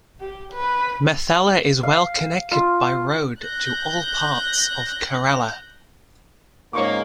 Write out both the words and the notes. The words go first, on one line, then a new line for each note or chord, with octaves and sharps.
Methala is well connected by road to all parts of kerala.
G4
B4
F5
F4
F#6 G6 A#6
G#2 C#3 F3 A#3 C#5 C#6 D6